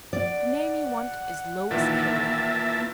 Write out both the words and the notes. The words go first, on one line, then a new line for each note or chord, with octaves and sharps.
'The name you want is--Lois Cayley!'
D5 F#5
A#2 D#3 E3 A#3 E5 A5